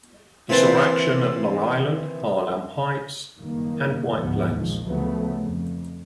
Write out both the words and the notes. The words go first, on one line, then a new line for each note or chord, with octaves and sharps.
He saw action at Long Island, Harlem Heights, and White Plains.
C3 E3 A#3 B4 C5 A5
F#1 G2 D#3 A#3
D2 G#2 B2 F3 B3
A#1 E2 D#3 F3 G#3
D2 C#3 F3 F#3 A3 B3
F2